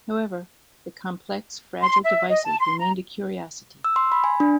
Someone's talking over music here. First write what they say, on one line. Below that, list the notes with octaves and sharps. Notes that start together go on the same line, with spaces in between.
However, the complex, fragile devices remained a curiosity.
C6
E5
D#5
A5
C6
A#5
E6
C6
B5
G#5
D4